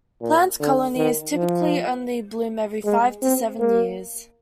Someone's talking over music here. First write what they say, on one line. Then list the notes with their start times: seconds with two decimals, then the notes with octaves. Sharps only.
Plant colonies typically only bloom every five to seven years.
0.22 A#2
0.60 D3
0.97 D#3
1.35 F3
2.85 G#3
3.22 C4
3.60 A#3